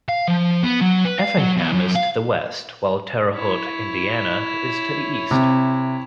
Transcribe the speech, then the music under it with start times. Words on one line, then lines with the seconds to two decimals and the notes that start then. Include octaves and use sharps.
Effingham is to the west, while Terre Haute, Indiana, is to the east.
0.09 F5
0.28 F3
0.63 B3
0.81 F#3
1.05 B4
1.18 F5
1.38 F#3
1.57 E2
1.73 F#2
1.96 F5
3.34 E4 C#5
5.31 C3